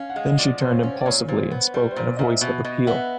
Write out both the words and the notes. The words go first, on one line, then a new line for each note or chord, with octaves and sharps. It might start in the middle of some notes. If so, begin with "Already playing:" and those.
Then she turned impulsively and spoke in a voice of appeal.
Already playing: C#4 F5
F#5
G#3 F5
F3 D5
C3 C5
C#5
C#4
C5
D5
A#2 C#5
A#2 C5
B3 B4
G3 B4
C5
A#2
D5
A#2 D#5
E5
B2 E5
B2 D#5
B3 E5